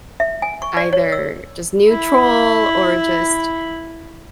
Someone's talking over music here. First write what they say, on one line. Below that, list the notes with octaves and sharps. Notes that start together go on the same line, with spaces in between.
either just neutral or just
E5
G#5
C#6
D5
C#5
E6
E4 B5